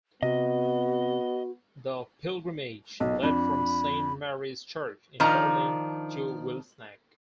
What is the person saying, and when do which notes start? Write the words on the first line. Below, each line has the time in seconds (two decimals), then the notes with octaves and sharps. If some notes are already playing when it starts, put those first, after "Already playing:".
The pilgrimage led from Saint Mary's Church in Berlin to Wilsnack.
0.23 C3 B3 F#4 D#5
3.00 B1 D#5
3.22 F2 D4 B5
5.20 D#3 F3 D4 A5 A#5